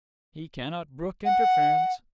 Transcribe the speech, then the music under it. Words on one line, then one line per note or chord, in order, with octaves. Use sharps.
He cannot brook interference.
F#5